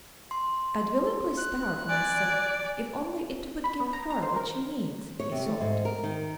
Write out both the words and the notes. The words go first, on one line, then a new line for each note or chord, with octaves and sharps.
"I'd willingly starve myself if only it would give her what she needs," he thought.
C6
F#6
D5 G#5
B5
B3
A#5
A#5
C5
A#4
C#5
C3
A3
G#2
A#4
D#3